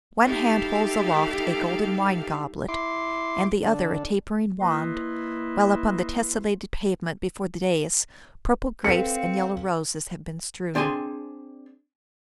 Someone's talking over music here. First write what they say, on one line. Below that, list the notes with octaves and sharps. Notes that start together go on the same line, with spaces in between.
One hand holds aloft a golden wine-goblet, and the other a tapering wand, while upon the tesselated pavement before the dais purple grapes and yellow roses have been strewn.
G#3 D#4 E4 G4 A4 F5
E4 C6 D6
D3 D4
A#3 E4 B4 D#5 C6
C4 A4 B4 F5 C#7
C4 D4 G#4 G#5 C6